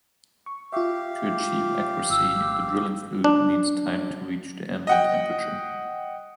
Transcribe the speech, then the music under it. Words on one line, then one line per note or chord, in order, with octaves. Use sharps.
To achieve accuracy the drilling fluid needs time to reach the ambient temperature.
C#6
F4 G4 E5 F5
G#1 E6
D4
D#5 F#5 G5